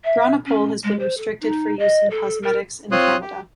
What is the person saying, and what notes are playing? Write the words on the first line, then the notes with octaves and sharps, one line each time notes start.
Bronopol has been restricted for use in cosmetics in Canada.
E5
C#4
G#3
C5
A4
D#4
D#5
A4
A#4
C4 F4 C#5 C6 D#6 F#6
G4